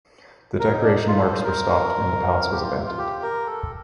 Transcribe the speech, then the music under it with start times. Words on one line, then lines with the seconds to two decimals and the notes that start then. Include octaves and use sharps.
The decoration works were stopped, and the palace was abandoned.
0.60 A#4
0.72 D#4
0.83 D4
0.95 D#4
1.07 F4
1.20 A4
1.32 C5
1.44 A#4
2.51 G4
2.63 F4
2.86 F4
2.98 G4
3.22 A#4
3.47 A4